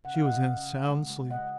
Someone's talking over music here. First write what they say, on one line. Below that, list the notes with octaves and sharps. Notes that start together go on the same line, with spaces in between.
She was in a sound sleep.
C#3 F#5
F5
C#3 D#5 F#5
C#3
C#3
G#3
G#3
G#3 D#5 F#5